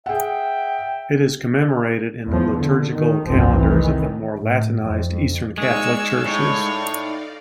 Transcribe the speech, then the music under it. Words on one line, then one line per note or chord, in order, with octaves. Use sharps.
It is commemorated in the liturgical calendars of the more Latinized Eastern Catholic Churches.
G#4 E5 F#5 G5
E2 F3
D3
D#3
F1 C2 G2 F3 C4
D#3 E3
A2
F2
G#3 D#4 D5 F5 C#6 E6
A2 C#5